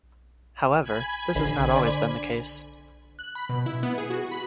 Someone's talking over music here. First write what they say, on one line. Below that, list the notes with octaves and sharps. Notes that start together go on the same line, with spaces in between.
However, this has not always been the case.
G#5 B5 G#6
A#1 D3 C7
C5 D5
F#6
B5
B2
E4
B3
G#4
F#4
B5